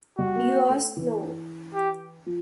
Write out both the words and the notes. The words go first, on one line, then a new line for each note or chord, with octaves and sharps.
You are slow!
G3 F#4
A#3
A3
E3
G4
F3